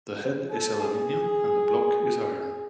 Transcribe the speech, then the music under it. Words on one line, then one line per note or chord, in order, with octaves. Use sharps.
The head is aluminium and the block is iron.
A4
G#4